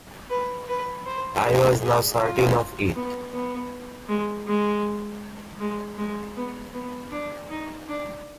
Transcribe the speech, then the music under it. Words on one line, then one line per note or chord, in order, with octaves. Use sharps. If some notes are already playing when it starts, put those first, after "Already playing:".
I was now certain of it.
B4
B4
C5
G#4
G#4
F4
B3
B3
G#3
G#3
G#3
G#3
B3
B3
D4
D#4
D4